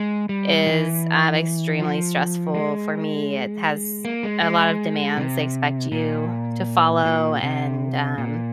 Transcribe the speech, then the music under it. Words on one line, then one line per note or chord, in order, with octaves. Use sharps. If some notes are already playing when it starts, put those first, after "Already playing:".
is, um, extremely stressful for me, it has a lot of demands they expect you to follow, and, um,
Already playing: G#3
G3
E3
F3
G#3
A#3
G#3
G#3
C3
A#2
A#2
C3
A#2